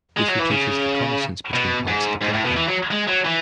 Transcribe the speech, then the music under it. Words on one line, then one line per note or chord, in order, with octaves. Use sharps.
This reduces the connascence between parts of the program.
G#3
F#3
E3
C#3
B2
G#2
G#2
A2
B2
E3
F#3
G#3
F#3
E3